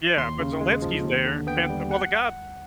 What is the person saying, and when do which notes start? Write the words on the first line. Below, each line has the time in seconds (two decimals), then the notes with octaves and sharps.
Yeah. But Zelenski's there. And well the guy
0.17 D#2 C6
0.39 C#3
0.61 G#3
0.82 F3
1.04 D#2
1.25 D3
1.47 B3 G5
1.69 G3
1.91 F#5